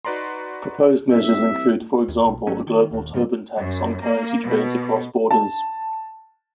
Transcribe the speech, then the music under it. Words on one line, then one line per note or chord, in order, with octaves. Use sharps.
Proposed measures include for example a global Tobin tax on currency trades across borders.
D#4 F#4 B4 D5 A#5 C6
C2 E5
D#2
B1
G#1 F#3 A3 C#4
D#3
D#1 D#2
G#2 C#3 E3 F3
F#2
A#3
B2
A5